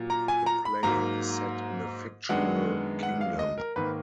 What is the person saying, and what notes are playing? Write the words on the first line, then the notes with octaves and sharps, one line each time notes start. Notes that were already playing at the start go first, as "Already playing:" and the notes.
The play is set in a fictional kingdom.
Already playing: A#2 F#3 A#3
A#5
G#5
A#5
B5
G#2 F#3 A#3 A#5
F#2 D#3 G#3 B3 D4 F#5
F#5
F5
D#5
A#4
G#2 D#3 A#3 B4